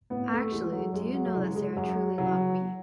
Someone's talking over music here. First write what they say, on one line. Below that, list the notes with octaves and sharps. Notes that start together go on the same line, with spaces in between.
Actually, do you know that Sarah truly loved me.
A2 B3
A3
E3 G#3
G#3
F#3
F#2 G#3
F#3
F#3
C#3 E3 G#3
G#3
F#2 F#3
C#3 E3 F#3